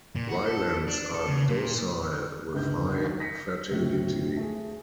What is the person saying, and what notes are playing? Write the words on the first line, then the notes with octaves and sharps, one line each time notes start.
Ryelands are docile with high fertility.
A#2
F#4
A4
D4
A4
C#3
A#2
G1 C#2 B4 G6
D#3
A#6 B6 C#7
G1 C#2 A2 C3 F#3
A3 G#4